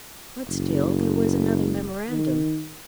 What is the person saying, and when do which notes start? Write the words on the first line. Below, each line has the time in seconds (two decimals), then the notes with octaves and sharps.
But still there was another memorandum.
0.48 F#1
2.10 D#3